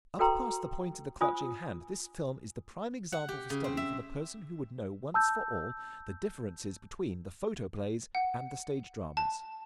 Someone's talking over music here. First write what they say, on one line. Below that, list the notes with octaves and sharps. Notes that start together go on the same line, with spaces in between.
Up past the point of the clutching hand this film is the prime example for study for the person who would know once for all the differences between the photoplays and the stage dramas.
F#4 A4 B4 G5 A#5 C6
F4 C5 G#5 D#6
F#5
G4
C#3
C4
E5
A5 E6 G6
F#5
A5